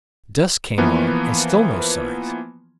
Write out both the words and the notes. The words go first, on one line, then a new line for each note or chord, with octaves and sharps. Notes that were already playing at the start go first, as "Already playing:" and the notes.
Dusk came on, and still no signs.
E3 F3 A#3 B3